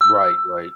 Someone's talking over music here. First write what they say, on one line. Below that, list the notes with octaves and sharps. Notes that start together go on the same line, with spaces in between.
Right, right.
E6